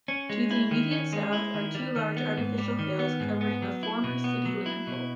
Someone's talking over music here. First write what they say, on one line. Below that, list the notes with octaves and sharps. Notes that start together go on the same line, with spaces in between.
To the immediate south are two large artificial hills covering a former city landfill.
C#4
G#3
E4
D#3
C#4
G#3
E4
D#3
G3
D#3
B3
G#2
G3
D#3
B3
G#2
B3
F#3
E4
B2
B3
F#3
E4
B2